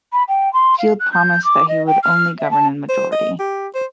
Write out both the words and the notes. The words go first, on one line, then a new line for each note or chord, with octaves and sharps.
Field promised that he would only govern in majority.
B5
G5
C6
F5
F#6
G6
D6
D#5
G5
F6
E5
A5
C5
D#5
G4
C5